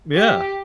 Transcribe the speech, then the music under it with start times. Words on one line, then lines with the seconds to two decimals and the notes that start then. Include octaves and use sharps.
M yeah.
0.14 G4